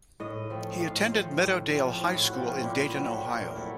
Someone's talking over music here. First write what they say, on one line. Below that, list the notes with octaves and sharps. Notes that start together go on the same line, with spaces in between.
He attended Meadowdale High School in Dayton, Ohio.
A2 D#5
F3 A3 C4 E5
A2 F5
D#5
F3 A3 C4 C5
A2
F3 A3 C4
A2 E4
F#4
F3 A3 C4
F4
A#2 E4
F#3 A3 C4
A#2 A#4
A#4
F#3 A3 C4 E4